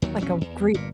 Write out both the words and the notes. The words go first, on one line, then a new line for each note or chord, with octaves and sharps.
Like a gr
D#2 D#3 F#3
A#1 E2 F#3 C#4
E2
G1 A#2